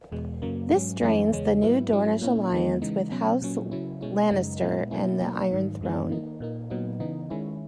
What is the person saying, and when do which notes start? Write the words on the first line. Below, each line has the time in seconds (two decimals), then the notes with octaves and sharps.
This strains the new Dornish alliance with House Lannister and the Iron Throne.
0.12 E2 B2 G#3
0.42 F#2 C#3 F#3 A#3
0.72 G#2 F#3 C#4
1.02 F#2 E3 G#3 C#4 E4
1.32 E2 C#3 G#3 C#4
1.62 G#2 F#3 B3 E4
1.92 G#2 F#3 C#4 E4
2.21 A#2 A#3 C#4 E4
2.52 E2 D#3 G#3 B3
2.82 C#3 E3 G#3 D#4
3.12 B2 F#3 C#4
3.42 A#2 F#3 C#4
3.71 C#3 F#3 C#4 E4
4.01 B2 G#3 C#4 E4
4.31 F#2 C#3 G#3 D#4
4.61 A#2 G#3 B3 E4
4.91 B2 F#3 A#3 C#4 E4
5.21 B2 F#3 A#3 D#4
5.51 G#2 D#3 F#3
5.81 F#2 D#3 G#3 B3
6.11 D#3 A#3 D#4
6.40 A#2 A#3 D#4
6.70 A#2 F#3 B3 D#4
7.00 C#3 E3 B3 D#4
7.30 D#3 G#3 C#4 E4